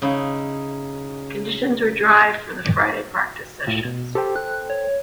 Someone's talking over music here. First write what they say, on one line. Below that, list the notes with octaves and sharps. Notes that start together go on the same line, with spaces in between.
Conditions were dry for the Friday practice sessions.
C#3 D#4 E4
C2 A2 F4
B2
G4 A4 C5 G5
F#6
C#5